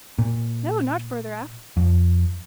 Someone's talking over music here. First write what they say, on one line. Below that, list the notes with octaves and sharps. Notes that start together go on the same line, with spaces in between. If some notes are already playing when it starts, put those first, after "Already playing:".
"No, not further aft."
A#2
F2